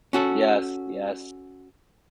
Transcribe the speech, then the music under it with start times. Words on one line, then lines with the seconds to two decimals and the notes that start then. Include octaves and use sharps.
Yes, yes.
0.13 C#4 F#4 A4